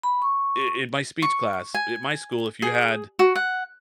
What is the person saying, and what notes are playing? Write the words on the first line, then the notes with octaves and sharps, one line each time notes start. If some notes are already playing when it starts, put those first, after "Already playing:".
in my speech class at my school, if you had
B5
C#6
C#6
G#5
G#4
F#4
F#5